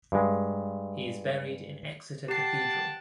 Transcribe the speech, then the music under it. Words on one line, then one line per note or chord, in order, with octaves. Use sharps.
He is buried in Exeter Cathedral.
G2 G#3
G4 F#5 G5 A5 C7